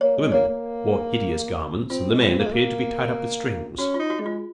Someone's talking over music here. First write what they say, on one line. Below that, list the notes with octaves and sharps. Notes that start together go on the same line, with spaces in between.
The women wore hideous garments, and the men appeared to be tied up with strings.
A#3 C#5
G#3
A#3 C#5
A#3
C4 F4
G#3
F4
C4
A#3
G#3
A#3
C#4 F#4
D#4 F4
F#4
G#3
F4